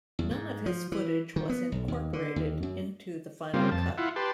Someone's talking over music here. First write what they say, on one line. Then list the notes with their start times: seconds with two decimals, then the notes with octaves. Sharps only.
None of his footage was incorporated into the final cut.
0.19 E2
0.31 G#2
0.66 F3
0.92 E3
1.36 D#3
1.49 B3
1.72 B1
1.88 D#2
2.13 D3
2.36 D#2
2.63 F#2
3.54 C#3 G3 A#3 C4 F4
3.71 F2 A5
3.98 E4 F4 F#5
4.16 G4 B4 A5 C6